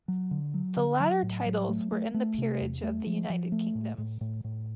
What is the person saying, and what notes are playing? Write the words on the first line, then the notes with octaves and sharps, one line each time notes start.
The latter titles were in the Peerage of the United Kingdom.
F#3
D3
F#3
D3
F#3
A2
F#3
A3
A3
A3
C3
E2
A3
F3
F3
A3
A2
A2
A2
A2